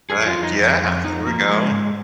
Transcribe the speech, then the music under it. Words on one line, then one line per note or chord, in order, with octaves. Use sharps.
Right. Yeah. There we go.
G#4
F2
F4
F2
D#4
F2
F2
F3 D#4
F3 A#3
G#3
G#2